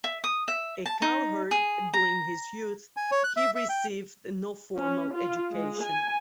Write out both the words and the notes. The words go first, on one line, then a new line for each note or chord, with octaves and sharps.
A cowherd during his youth, he received no formal education.
E5
D#6
E5
A5
D#4
G#4
A#5
G#5
C#5
F#6
E5
E5
G5
C#4
F4
G#3
G#5